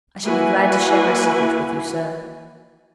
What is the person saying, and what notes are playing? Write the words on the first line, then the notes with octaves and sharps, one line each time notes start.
I shall be glad to share my secret with you, sir.
A#3 E4 F#4 B4 G#5